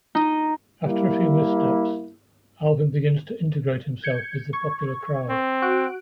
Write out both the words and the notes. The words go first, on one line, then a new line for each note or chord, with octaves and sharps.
After a few missteps, Alvin begins to integrate himself with the popular crowd.
D#4
G3 A#3 E4
G6 G#6 C#7
C#6 G#6
C4
F#4 F#6 D7